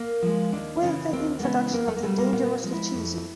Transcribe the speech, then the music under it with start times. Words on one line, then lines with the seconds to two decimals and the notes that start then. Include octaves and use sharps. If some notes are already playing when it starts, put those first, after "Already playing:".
With the introduction of the Dangerously cheesy!
Already playing: A#3
0.22 F3 G#3
0.52 D#2 D4
0.82 C#3 E3 C#4
1.13 D#2 C4
1.39 A#3
1.43 C#3 E3 G#3 B3
1.73 E2 A#3
1.88 A3
1.96 A#3
2.03 B2 G3 A3
2.18 A#3
2.33 A#2 B3
2.43 B3
2.53 C4
2.63 F3 G#3
2.73 E4
2.93 F2